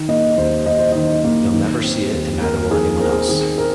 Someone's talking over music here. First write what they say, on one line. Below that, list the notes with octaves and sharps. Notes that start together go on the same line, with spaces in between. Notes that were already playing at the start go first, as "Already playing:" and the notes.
You'll never see it and neither will anyone else.
Already playing: D#3
A#3 D#5
D#2 C5
D#2 D#5
C5
D#3 D#5
A#3
D#3
C4
D#2
D#2 A#4
D#3 G#4
C4 A#4
G#4
A#4
D#3 G#4
C4 A#4